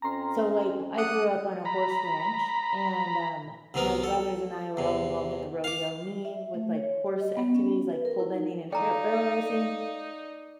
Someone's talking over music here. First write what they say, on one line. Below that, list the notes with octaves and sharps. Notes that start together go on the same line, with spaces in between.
so, like, I grew up on a horse ranch, and, um, my brothers and I were all involved in the rodeo, me with, like, horse activities, like, pole bending and pear barrel racing,
F2 C4 C#4 A#5 C6
A4 E5 F#5 D6 D#6
A#5 B5
C2 C3 E3 B3 A#4
A4
E2 C3
F5 D6
E5
A3
C#5
G4
D#5
B3
C#4
B4
A#4
E4
D#4
D#4 A4 D5 F5 G5 A#5